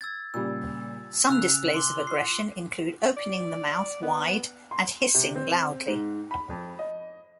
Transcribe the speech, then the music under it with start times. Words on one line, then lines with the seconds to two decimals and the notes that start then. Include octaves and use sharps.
Some displays of aggression include opening the mouth wide and hissing loudly.
0.01 E6 G#6 A6
0.34 A#2 C#3 G3 E6
1.29 C#3 E6 F#6 F7
1.74 C6 D6 G7
2.07 C7
3.17 D5
4.02 B3
4.71 C6
5.14 C3
5.35 C4
5.87 G#2
6.31 B5
6.50 F2
6.79 D#5